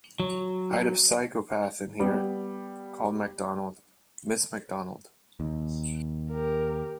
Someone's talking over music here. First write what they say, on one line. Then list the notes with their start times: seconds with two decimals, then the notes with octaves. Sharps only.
I had a psychopath in here, called McDonald - Miss McDonald.
0.20 F#3
2.00 G3 B3
5.40 D#2
6.30 G4 A#4